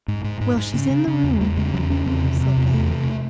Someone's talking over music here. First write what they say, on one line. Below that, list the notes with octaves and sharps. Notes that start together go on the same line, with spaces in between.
"Well, she's in the room," said Diana.
G#2
G#2
G#2
G#2
C#3
C#3
C#3
E2
E2 A3
C#3 G#3
E2 F#3
C#3 C#4
E2 C4
C3
C3
E2
E2 A3
C3